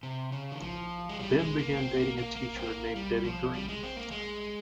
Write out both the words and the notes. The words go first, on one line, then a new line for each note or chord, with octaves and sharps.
Ben began dating a teacher named Debbie Green.
C3
C#3
D#3
F3
G#3
G3
G#3
A#3
C4
A#3
A#3
A#3
C4
A#3
G3
F3
G3
G#3
C4
A#3
G#3